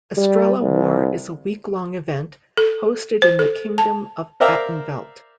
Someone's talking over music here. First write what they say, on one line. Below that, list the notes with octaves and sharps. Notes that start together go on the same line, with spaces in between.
Estrella War is a week-long event hosted in the Kingdom of Atenveldt.
G3
C2
A4
C5
A4
A5
A#4 C5 D5 E5 F5 A#5